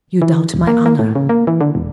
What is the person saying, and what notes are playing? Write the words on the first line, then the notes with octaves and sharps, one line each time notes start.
'You doubt my honour?
E3
D#1
A#3
A#3
A2
C#3
A#3
E3
D3
E1